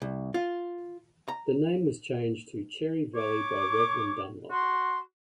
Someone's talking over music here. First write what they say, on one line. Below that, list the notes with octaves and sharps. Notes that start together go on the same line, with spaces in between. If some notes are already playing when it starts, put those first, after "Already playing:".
The name was changed to Cherry Valley by Reverend Dunlop.
C2
F4
A#5
C#5 D6
F#4 C6